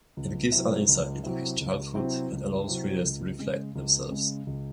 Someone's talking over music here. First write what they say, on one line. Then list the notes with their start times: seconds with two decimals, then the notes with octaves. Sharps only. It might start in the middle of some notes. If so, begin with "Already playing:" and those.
It gives an insight into his childhood and allows readers to reflect themselves.
0.17 C#2
0.52 C3 F#3 C4 E4
0.88 C#2
1.24 C3 F#3 C4 E4
1.60 C#2
1.95 C3 F#3 C4 E4
2.31 C#2
2.68 C3 F#3 C4 E4
3.03 C#2
3.39 C#3 G#3
3.75 C#2
4.11 C#3 G#3
4.47 C#2